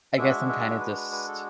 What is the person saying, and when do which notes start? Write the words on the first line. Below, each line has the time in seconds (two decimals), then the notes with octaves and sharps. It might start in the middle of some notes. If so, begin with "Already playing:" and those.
I guess I'm kinda just
0.17 G#3 D4 F#4 E5
0.49 E5
0.80 B4
0.96 B4
1.12 B4
1.28 A4